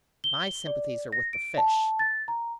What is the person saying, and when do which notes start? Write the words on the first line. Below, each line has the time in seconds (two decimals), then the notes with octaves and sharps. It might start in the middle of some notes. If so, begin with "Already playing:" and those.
"My sympathies are with the fish."
0.24 G7
0.67 D5
1.12 A#6
1.33 D7
1.58 A5
1.99 A6
2.28 A#5